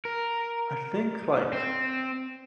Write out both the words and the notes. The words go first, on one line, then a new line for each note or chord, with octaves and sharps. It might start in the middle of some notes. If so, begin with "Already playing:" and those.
I think, like,
A#4
C4